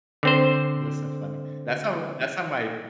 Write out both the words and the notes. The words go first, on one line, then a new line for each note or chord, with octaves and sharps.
That's so funny, that's how that's how my
D3 C4 C5